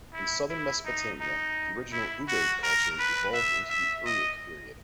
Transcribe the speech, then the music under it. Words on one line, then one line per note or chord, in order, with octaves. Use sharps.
In southern Mesopotamia, the original Ubaid culture evolved into the Uruk period.
E4
E4
D#4
D#4
E4
F#4
A#4
B4
E5
E5
D#5